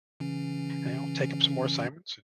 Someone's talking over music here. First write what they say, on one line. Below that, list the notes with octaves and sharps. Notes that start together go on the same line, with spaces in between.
and I'll take up some more assignments
C#3 E3 C#4